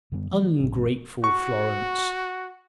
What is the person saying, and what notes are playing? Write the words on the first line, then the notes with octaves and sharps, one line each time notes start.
Ungrateful Florence!
F#2 D3 G3 B3
E3 F3 A3
A1 G2
F#4 C#6